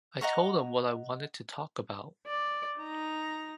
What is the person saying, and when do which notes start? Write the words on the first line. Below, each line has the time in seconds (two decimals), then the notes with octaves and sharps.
I told them what I wanted to talk about.
0.21 D#5 F#5 A#5 C#6
2.27 D5
2.79 D#4 A#5